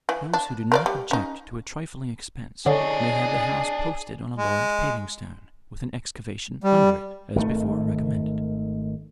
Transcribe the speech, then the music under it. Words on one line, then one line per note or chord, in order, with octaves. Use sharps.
Those who do not object to a trifling expense, may have the house posted on a large paving-stone, with an excavation under it, as before recommended.
E3
D4
A#4 B4 D5
G3
C#4 D#4
D3 D4 G#4 C#5 D#5
G#3
G3
G#1 D#3 A3